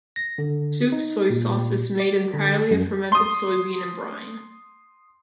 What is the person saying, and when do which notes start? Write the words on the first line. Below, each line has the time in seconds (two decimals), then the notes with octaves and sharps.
Soup soy sauce is made entirely of fermented soybean and brine.
0.16 A#6
0.38 D3
0.92 D#4
1.30 A#2
2.00 D5
2.34 D3
2.71 F#2
3.12 C6 D#6